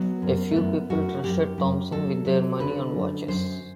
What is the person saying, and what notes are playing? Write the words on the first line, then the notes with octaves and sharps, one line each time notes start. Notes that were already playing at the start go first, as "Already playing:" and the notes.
A few people trusted Thompson with their money and watches.
Already playing: F#3 B3
F#2
A3
F#2 B3
F#2 F#4
F#2 G4
F#2
F#3 A4
F#3
D3 B4
F#2
F#2 C5